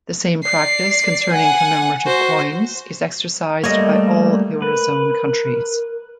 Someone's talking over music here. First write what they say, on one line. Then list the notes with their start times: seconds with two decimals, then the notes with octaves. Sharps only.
The same practice concerning commemorative coins is exercised by all eurozone countries.
0.43 D5 C7
1.32 F#5 G#5
2.04 F#4 C5
3.64 G3 A3 A#3 C#5 D#5
4.62 A#4 B4